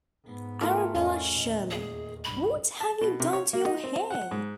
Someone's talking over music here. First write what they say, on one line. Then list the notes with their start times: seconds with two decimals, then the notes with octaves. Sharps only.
Arabella Shirley, what have you done to your hair?
0.25 G#2 B3
0.61 A3 F4 A#4
0.95 E2 C#4 D#5
1.33 D#2 A#2
1.71 G#4
2.24 C2 G2 B5
2.80 A5
3.01 B2
3.20 C3
3.33 C#5
3.53 A#3
3.66 D#4
3.84 C4
4.11 F#5
4.31 G#2